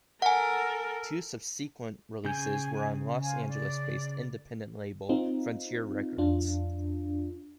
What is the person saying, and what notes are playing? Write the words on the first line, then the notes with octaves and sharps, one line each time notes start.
Two subsequent releases were on Los Angeles-based independent label Frontier Records.
A4 A#4 F#5 G#5
C#3 G5 G#5 G6
C5 F5 G#5
D5
C4 D#4 F4
F2 D4 F4